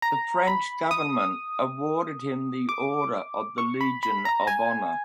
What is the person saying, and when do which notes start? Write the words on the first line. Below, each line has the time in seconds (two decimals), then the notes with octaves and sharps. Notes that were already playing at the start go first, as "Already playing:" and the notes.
The French government awarded him the Order of the Legion of Honor.
0.02 A#5
0.47 B5
0.91 D#6
2.69 D6
3.58 C#6
3.81 B5
4.03 B5
4.25 A#5
4.47 G#5